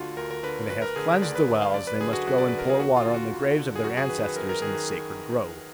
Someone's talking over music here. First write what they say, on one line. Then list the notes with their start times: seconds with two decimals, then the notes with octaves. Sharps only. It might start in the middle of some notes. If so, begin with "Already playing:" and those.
When they have cleansed the wells, they must go and pour water on the graves of their ancestors in the sacred grove.
Already playing: D2 D3 F4 F#4
0.17 D2 A#4
0.31 A#4
0.43 D3 B4
0.70 D2 B4
0.82 A#4
0.96 D3 G#4
1.09 A#4
1.22 D2 D5
1.35 B4
1.48 D3
1.62 F5
1.74 F#2 D5
1.87 B4
2.00 D3 G#4
2.13 F#4
2.26 F#2 F#4
2.38 D5
2.48 D3 B4
2.59 A#4
2.70 G#4
2.80 D#2 F#4
2.97 F4
3.05 D3
3.14 F#4
3.31 D#2
3.58 D3
3.76 G#4
3.84 F#2 F#4
3.97 G#4
4.09 D#3 B4
4.23 B4
4.36 F#2 A#4
4.49 A#4
4.62 D#3 G#4